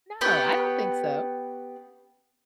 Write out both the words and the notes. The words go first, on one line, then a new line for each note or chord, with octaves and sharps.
No, I don't think so.
B3 G4 B4 C#5